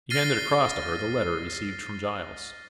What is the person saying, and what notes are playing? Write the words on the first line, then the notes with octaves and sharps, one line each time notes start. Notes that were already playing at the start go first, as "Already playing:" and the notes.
He handed across to her the letter received from Giles.
F6 A6 A#6 C7 D#7 G7